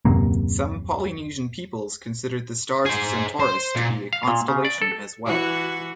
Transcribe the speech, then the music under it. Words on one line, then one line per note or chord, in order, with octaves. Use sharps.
Some Polynesian peoples considered the stars of Centaurus to be a constellation as well.
D#1 F#2 C3 A#3
G#4 C5
C5
A#2
F5
A#2
C#3
D5
A4
E3 F#4